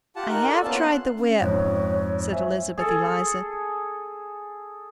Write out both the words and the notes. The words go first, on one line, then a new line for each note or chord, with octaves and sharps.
"I have tried the whip," said Elizabeth Eliza.
F4 G4 F#5 A5
D#4 A#4 C#6 F#6
A4 D5
A#3 B3 C#4 F4 A5
C6 F#6
C#4
F2 G#2 C#5
C5 E5 G#5
G#4 A4